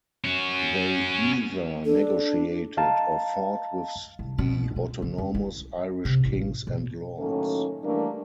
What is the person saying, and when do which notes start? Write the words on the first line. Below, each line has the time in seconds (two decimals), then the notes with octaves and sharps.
They either negotiated or fought with the autonomous Irish Kings and lords.
0.24 C#4 F#4
1.85 D4 A4
2.77 D#5 F5 A5 A#5
4.19 C2
4.38 B2
4.76 F4
5.02 C#3
5.18 F#2
5.34 E4
6.05 C3
6.25 A1
6.67 B2
7.19 A2 D#3 F#3 A#3 C#4 A4
7.83 E3 G3 A3 A#3 D4 A#4